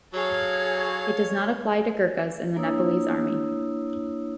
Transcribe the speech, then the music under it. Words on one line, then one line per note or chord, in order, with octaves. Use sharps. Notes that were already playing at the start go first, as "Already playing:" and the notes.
It does not apply to Gurkhas in the Nepalese Army.
F#3 G#4 A4 C#5 F5 G#6
A#3 D4 E4 C#5 D#6 E6